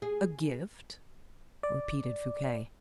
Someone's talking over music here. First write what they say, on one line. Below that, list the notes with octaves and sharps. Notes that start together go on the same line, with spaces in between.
"A gift?" repeated Fouquet.
G#4
D5